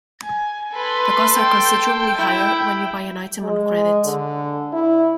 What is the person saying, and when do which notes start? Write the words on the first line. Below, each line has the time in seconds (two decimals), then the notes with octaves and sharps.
The costs are considerably higher when you buy an item on credit.
0.23 G#5
0.73 A4 B4 C6
1.39 G5
2.17 E4
3.42 G#3
4.06 D3
4.72 E4